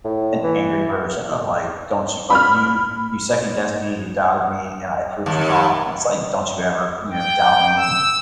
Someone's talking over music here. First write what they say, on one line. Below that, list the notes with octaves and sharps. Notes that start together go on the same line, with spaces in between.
an angry version of like, "Don't you like you you second guessed me, you doubted me, and I proved you wrong." And it's like, "Don't you ever," you know, "doubt me."
A2
E3
B5 F6
D#2
G5
E6